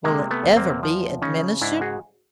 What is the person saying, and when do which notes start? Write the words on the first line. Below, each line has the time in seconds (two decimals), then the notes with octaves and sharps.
Will it ever be administered?
0.04 C3 G#3 A#3
0.31 A3 B3
0.43 E2
0.57 A#3 C4
0.83 F3
1.22 C#3 C#4 D#4
1.61 G#2 D4 E4
1.81 F#4 G#4